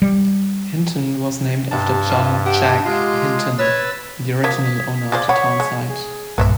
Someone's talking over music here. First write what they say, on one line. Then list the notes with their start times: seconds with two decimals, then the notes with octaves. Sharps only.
Hinton was named after John "Jack" Hinton, the original owner of the town site.
0.02 G3
1.71 G2 C3 A5
2.09 F4 C5 E5
2.46 G4 F#5 A5
2.86 G#3 F4 G4
3.59 B4 C#5 E6 A6
4.44 F3 F#3 A#3 D#6 G#6 B6
5.12 G#3 F4 C5 D5
5.29 C#5 F#5 B5
5.60 G#3
5.90 G#4
6.38 B1 G2 A#2 B4 C5 E5